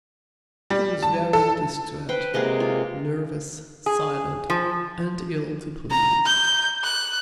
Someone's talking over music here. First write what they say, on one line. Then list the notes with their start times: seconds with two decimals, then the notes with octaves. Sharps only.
She was very distraite, nervous, silent, and ill to please.
0.70 G3
1.03 A5
1.33 A4
2.09 B4 C5 G5
2.34 C3 G#3 A#3 G4
2.60 F4
3.86 G#4
4.50 F3
5.90 A#5
6.26 G6
6.84 F#6